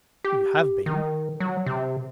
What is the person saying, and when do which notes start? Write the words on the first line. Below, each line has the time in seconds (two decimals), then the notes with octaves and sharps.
"You have been."
0.24 G4
0.86 D#3
1.40 F#3
1.66 C3